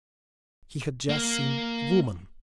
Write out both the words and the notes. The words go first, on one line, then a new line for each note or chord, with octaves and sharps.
He had just seen Woman.
A#3